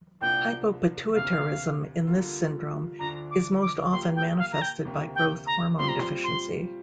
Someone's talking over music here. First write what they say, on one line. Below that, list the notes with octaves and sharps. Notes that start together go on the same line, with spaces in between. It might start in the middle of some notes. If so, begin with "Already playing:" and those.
Hypopituitarism in this syndrome is most often manifested by growth hormone deficiency.
C2 A#2 F3 A#3 D4 G5
D2 C3 A#3 F5
D3 G3 A#3 F4
D2 D3 F3 D4 A#5
D6
D6
A#2 A#3 G4 C6
G5
F5
A#5
G5
D2 C3 A#3 G4
G5
A#5
A#2 G3 C4 F4 C6
A#5
C6
C6